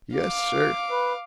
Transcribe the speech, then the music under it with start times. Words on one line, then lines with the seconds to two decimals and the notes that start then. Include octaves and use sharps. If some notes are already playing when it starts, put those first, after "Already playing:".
"Yes, sir."
0.17 F5 D6
0.91 B4